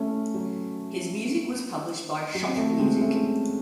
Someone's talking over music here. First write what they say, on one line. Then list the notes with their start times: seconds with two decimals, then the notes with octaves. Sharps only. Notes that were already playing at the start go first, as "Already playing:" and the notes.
His music was published by Schott Music.
Already playing: A3 C#4
0.34 F#3
2.35 F#3
2.47 C4
2.57 F#3 A3
2.79 G#3 C4
3.01 A3 C#4